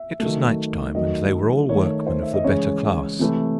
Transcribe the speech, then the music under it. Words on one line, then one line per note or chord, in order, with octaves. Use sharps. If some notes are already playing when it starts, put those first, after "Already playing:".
It was night-time, and they were all workmen of the better class.
Already playing: E5
D#3 F#3 A3
D#3 F#3 A3 D#5
D#3 A3 C#5
C5
E5
D#5
C#3 E3 G#3 C#5
C3 E3 A3